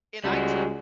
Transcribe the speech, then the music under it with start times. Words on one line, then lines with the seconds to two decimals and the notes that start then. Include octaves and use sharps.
And I to
0.24 C#2 G3 G#3 F#4